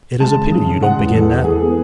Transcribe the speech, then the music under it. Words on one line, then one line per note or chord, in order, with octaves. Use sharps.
'It is a pity you don't begin now.
G#3 A5
C#3
C#3
C#3
G#3 F#5
E2
E2 A4
E3
E3 G#4
B3